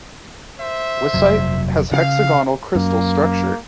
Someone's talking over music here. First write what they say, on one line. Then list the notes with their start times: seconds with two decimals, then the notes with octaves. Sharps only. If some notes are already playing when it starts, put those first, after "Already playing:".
Weissite has hexagonal crystal structure.
0.59 C5 E5
1.14 F1 F#3
1.92 C#3 F5
2.75 F#2 A#3